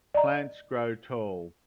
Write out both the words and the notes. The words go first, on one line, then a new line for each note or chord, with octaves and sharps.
Plants grow tall.
D5 D#5 A#5